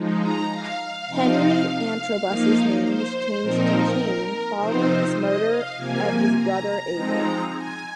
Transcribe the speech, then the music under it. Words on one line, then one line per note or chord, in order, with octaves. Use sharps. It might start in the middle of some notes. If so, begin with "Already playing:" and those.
Henry Antrobus's name was changed from "Cain", following his murder of his brother Abel.
Already playing: F3 G#3 D#4
A#5
F5
C3 F3 C4 D#4
F3 A#3 D#4
C5
C5
A#2 F3 C4 D#4 A#4
C3 F3 C4 D#4 C5
D#5
F5
C3 F3 A#3 G#5
A#5
F3 G#3 C4 D#4
G#5